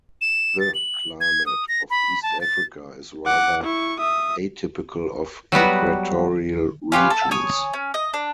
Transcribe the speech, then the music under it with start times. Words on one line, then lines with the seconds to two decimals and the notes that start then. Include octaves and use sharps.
The climate of East Africa is rather atypical of equatorial regions.
0.21 E7
0.60 A6
0.75 F#7
1.21 G#6
1.46 D#6
1.68 A#6
1.90 B5
2.23 A5
2.41 A6
3.27 F#5 D6
3.64 E4 C#6
4.00 E5 D#6
5.52 F#3 G3 B3 F#4
6.92 C#4 F4 G4 B4
7.10 A4
7.31 C#5 G#5 D#6
7.74 C#4
7.94 D#5
8.14 D4